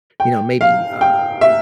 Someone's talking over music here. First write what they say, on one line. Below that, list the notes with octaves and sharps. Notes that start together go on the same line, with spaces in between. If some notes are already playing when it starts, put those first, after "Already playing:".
you know, maybe, um,
G5
F5
G5
E5